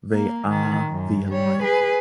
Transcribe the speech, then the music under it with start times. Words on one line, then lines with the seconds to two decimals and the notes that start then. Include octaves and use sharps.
They are the alike.
0.13 A#3
0.49 D#3
0.89 F#2
1.31 G3 C#5
1.63 G#4 B4